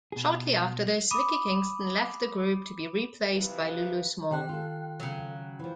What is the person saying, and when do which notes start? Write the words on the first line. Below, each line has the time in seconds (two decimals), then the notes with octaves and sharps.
Shortly after this Vicky Kingston left the group, to be replaced by Lulu Small.
0.12 B2 G#4
1.11 B5 D6 D#6 D#7
3.35 C3 E3 F3 F4 B4
4.31 C3 D#3 G5 F#6
4.49 F4 A4
5.00 C#3 F#3
5.59 E3 F3